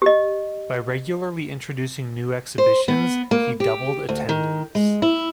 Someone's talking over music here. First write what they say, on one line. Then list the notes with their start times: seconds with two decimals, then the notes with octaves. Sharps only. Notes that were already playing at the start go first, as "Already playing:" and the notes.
By regularly introducing new exhibitions he doubled attendance.
0.02 G4 D#5
2.58 C5
2.88 B3
3.31 A#3
3.60 G4
4.09 D2
4.29 D#3
4.75 G#3
5.02 E4